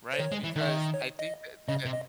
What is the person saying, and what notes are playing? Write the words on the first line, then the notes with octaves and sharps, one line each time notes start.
Right? Because I think that that
C5
D#3 C#5
G#3
E3
D#3 E5
D#5
C#5
D#5
C#3 D#5
C3
D#5